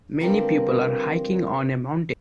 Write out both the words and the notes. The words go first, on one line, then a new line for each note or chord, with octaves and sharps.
Many people are hiking on a mountain.
D3 G3 C4 F4 A#4 B4